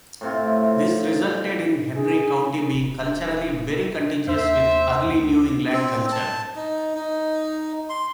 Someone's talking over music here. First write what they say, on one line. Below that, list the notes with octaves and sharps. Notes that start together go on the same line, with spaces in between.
This resulted in Henry County being culturally very contiguous with early New England culture.
A2 C3 F4
G#4
D#1
D#2 C5 E5
D2
C4
A5
D#4
D#4
C6